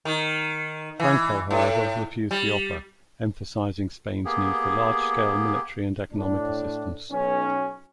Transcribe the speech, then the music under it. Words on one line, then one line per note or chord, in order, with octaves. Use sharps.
Franco however refused the offer, emphasizing Spain's need for large-scale military and economic assistance.
D#3
E3
A2
G3
A#3 B3 G4 G#4
A2 D4
B1 C#4